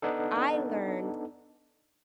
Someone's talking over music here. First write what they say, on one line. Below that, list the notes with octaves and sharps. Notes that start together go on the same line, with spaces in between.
I learned
B3 D4 D#4 A4